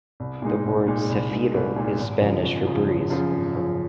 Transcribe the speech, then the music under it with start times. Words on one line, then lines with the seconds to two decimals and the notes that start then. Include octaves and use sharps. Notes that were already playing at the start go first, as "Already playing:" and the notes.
The word "cefiro" is Spanish for "breeze".
0.20 C2
0.42 A#2 G#3 D#4
0.65 C2
0.86 A#2 G#3 D#4
1.09 C2
1.31 A#2 G#3 D#4
1.54 C2
1.76 A#2 G#3 D#4
1.98 G#1
2.21 F#2 C#3 F3
2.43 G#1
2.65 F#2 C#3 F3
2.88 G#1
3.10 F#2 C#3 F3
3.32 G#1
3.55 F#2 C#3 F3